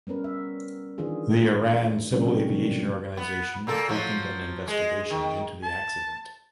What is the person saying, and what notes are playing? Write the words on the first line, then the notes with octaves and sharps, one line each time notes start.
The Iran Civil Aviation Organization opened an investigation into the accident.
G3 B3 C#4 A#4 B4
E5
D#3 E3 D4 F4 G#4
C3 F#3 G#3 A#3 C#4 D4
C#4 G4
B2 D3 D#3 F#3 G3 A#3
B3
A#2 A#3 A4
F3 F#3
G#3
D#3
A5